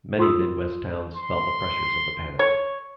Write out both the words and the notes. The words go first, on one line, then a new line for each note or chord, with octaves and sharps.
Many Midwest towns felt the pressures of the Panic.
F4 C6 D#6 E6
C6
C#5